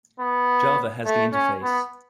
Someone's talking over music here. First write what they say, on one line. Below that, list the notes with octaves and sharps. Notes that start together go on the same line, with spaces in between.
Java has the interface.
B3
A3
C#4
B3